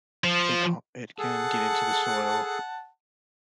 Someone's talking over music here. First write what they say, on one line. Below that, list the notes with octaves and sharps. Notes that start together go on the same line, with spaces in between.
it ha it can get into the soil,
F3
G#4 A4 F#5 A5